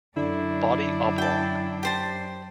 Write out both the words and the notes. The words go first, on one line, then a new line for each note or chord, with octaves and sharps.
Body oblong.
F#2 D3 D4 E4
G5 A5
G4 C5 A5